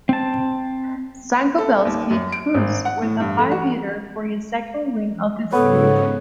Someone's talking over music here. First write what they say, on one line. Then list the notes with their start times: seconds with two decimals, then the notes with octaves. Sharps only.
Stan Coveleski cruised with a five-hitter for his second win of the Series.
0.09 C4 A5
1.58 A4
1.85 D#2
2.11 F#2
2.32 D7
2.54 G#1
2.85 F#5
3.02 A2
3.20 G2
3.38 A3
3.51 F#4
5.52 G#2 C#3 B3 A4 C#5